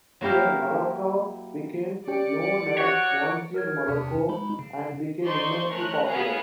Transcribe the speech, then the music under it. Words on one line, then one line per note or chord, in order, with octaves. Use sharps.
Here Marocco became known as "Monsieur Moraco", and became immensely popular.
F#3 A#3 E4 G4 F5
C#4 G4 D5 C#7
F#4 C#5
A#4 F6 G#6
E2 C3 D4
G#3 D#4 B5
C#3
D#4 C5 D5 C6 C#6 G6
A3 C#4 A#4 C#5 F#6
B3 G#4 A#4 F5